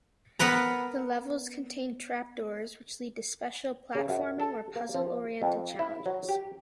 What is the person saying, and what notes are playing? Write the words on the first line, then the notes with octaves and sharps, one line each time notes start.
The levels contain trapdoors, which lead to special platforming or puzzle-oriented challenges.
B3 A#4 B4 A#5
C#3
F#2
A4
A#3
F3
F2
E4
F#3
G4